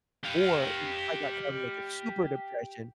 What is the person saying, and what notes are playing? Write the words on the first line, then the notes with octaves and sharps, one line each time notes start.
or, you know, if I got caught in, like, a super depression,
G4 F5